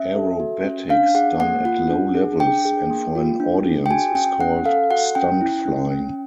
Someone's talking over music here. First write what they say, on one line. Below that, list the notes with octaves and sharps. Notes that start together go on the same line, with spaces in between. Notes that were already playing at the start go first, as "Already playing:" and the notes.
Aerobatics done at low levels and for an audience is called "stunt flying".
Already playing: C#4 E5
A4
F#4
C#4
D4 F5
G#4 F#5
A#3 F#5
F4 F#5
D4
G#4
D4 G5
G#4
A#3
F4
D4
G#4
G5
F#4 G#5
C#4 G5
C#4 F#5
A4 F5
F#4 F#5
C#4 G5
E4
C#4
C#4